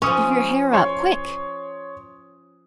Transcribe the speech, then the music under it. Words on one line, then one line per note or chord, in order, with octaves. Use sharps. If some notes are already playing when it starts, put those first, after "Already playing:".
"Do your hair up--quick!"
F3 C#4 C#6 D#6
C#5 C6